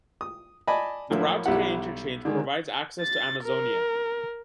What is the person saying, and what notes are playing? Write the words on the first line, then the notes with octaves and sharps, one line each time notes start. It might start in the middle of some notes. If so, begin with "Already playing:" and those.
The Route K interchange provides access to Amazonia.
D#6
D5 D#5 G#5 A5 B5
A2 F3 F#3 A#3 E4
B1 G3 E4 G4 F#5
D3 D#3 G#3
A6
A#4